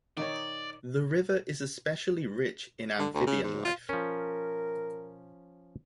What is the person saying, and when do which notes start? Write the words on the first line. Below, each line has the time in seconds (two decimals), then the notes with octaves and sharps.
The river is especially rich in amphibian life.
0.17 D#3 D#4 C#5 D5
2.99 D3
3.14 D2
3.27 C#3
3.43 G#2
3.65 F4
3.89 F3 C#4 A#4